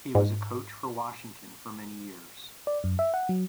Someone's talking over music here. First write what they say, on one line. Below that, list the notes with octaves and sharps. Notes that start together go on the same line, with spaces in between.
He was a coach for Washington for many years.
G#2
D5
F#2
E5
F#5
F#3